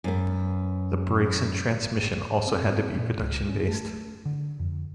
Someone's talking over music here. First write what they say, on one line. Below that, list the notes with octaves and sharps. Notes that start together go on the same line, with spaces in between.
The brakes and transmission also had to be production-based.
F#2 B3
C4
C4
A#2
C#2
C#4
A3
D3
F2